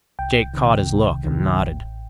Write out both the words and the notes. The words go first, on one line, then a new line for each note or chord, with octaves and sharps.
Jake caught his look and nodded.
C2 G5
C3 D#3
C2
C3 D#3
A1